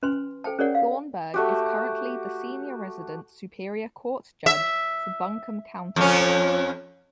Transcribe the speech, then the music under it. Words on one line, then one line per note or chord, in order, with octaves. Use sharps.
Thornburg is currently the senior resident superior court judge for Buncombe County.
C#4 B4 G#5 C6
A4 C5 G5 A5
C#4 G#4 A#4 C#5 D5 F#5
F5
A3 F#4 G4
E5
F2 C#4